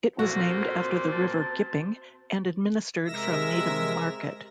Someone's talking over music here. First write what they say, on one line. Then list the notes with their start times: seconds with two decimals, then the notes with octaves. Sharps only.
It was named after the River Gipping and administered from Needham Market.
0.19 A#2 A#3 C4 F#4 A4
1.12 A5
3.05 C3 G#3 A#4 E5 E6 A#6